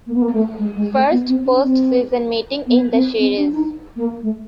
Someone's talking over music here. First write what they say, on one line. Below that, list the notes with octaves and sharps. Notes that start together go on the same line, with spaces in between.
First postseason meeting in the series.
A#3
B3
A#3
A3
G#3
G#3
A3
B3
C4
C#4
C4
B3
C4
C4
D4
D#4
A#3
A3